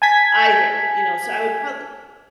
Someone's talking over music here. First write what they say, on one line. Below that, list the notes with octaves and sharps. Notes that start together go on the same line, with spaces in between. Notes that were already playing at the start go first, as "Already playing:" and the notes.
either, you know, so I would probably
G#5 A5 G#6 B6